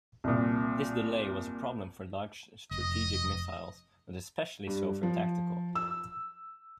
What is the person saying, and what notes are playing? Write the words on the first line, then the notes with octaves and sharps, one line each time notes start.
This delay was a problem for large strategic missiles, but especially so for tactical.
C2 A#2
F1 D#5
G2
F3
E6